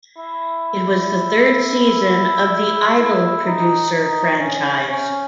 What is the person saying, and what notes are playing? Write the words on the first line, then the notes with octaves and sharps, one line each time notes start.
It was the third season of the "Idol Producer" franchise.
E4
E4
D#4
D#4
C#4
C#4